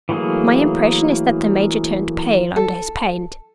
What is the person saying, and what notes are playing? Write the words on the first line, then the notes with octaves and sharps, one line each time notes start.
My impression is that the Major turned pale under his paint.
E3 F#3 A3 A#3 G#4
A4